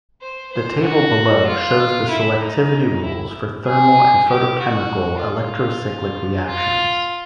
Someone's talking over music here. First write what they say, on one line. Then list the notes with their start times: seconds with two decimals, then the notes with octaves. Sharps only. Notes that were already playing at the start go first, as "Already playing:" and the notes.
The table below shows the selectivity rules for thermal and photochemical electrocyclic reactions.
0.22 C5
0.53 C5
0.84 F#4
1.47 F4
2.10 E4
2.40 D#4
3.04 E4
3.66 G#4
4.29 G4
4.60 F#4
5.23 F4
6.47 F4